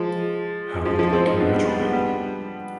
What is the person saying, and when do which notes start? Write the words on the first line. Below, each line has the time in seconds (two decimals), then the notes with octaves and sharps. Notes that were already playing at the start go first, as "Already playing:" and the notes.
How are you liking Ridgeway?
Already playing: F3 G#3
0.85 F3 G#3
0.99 F3 G#3
1.12 G#3 C4
1.26 C4 D#4
1.40 B3 D4
1.53 G3 B3
1.66 G3 B3
1.80 G3 B3
1.93 G3 B3